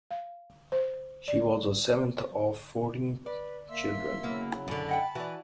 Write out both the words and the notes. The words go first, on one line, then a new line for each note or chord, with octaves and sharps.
She was the seventh of fourteen children.
F5
C5
D5
B4 D5
A#3 E5 C6 E6
C#3 F#3 A#3 B3 E4
F#2 D3 A5 B5
D#5 F#5 G5
E3 F#4 D5